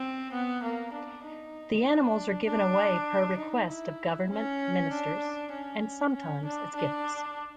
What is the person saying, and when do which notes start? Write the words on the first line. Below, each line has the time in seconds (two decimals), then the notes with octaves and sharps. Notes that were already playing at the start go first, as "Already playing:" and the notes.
The animals are given away per request of government ministers and sometimes as gifts.
Already playing: C4
0.32 B3
0.63 A#3
0.93 D4
1.24 D#4
1.85 D4
2.46 D4
3.38 D#4
3.68 E4
4.30 C#4
4.91 D4
5.52 C#4
6.13 C#4
6.45 D4
6.75 D4